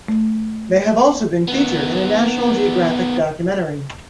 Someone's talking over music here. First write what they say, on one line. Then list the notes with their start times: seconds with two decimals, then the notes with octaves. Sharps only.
They have also been featured in a National Geographic documentary.
0.08 A3
1.48 D#3 B3